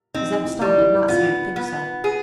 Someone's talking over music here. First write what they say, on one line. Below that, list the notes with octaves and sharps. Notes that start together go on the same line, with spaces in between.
Zeb Stump did not seem to think so.
C4 D#4
E4
G3
E4
B3 F4
B3
G#4